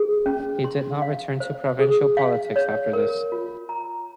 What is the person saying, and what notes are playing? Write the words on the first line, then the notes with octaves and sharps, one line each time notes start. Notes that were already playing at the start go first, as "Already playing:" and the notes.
He did not return to provincial politics after this.
Already playing: G#4
C#4
C6
F5
C5
G#4
F5
C#5
A#4
F4
A#5